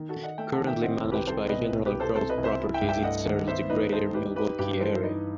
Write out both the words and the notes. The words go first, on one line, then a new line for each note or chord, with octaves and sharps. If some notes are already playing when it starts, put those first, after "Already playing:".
Currently managed by General Growth Properties, it serves the Greater Milwaukee area.
Already playing: D#3
F#4 A4
D#3
D#5 F#5
A3 E5 G5
F#5 A5
D#3
E5 G5
C4 D#5 F#5
C2
G4 B4
C4 A4 C5
B2 B4 D#5
C2
G4 B4
C2
A4 C5
C3 A4 C5
B4 D#5
C2
C5 E5
E4
E5 G5
G2
E5 G5
A3 D#5 F#5
D#3
B3 C5 E5
D#4 B4 D#5
D#4 A4 C5
D#4 G4 B4
D#4 G4 B4
G2 G4 B4
E3 A4 C5
C5
D#4 B4 D#5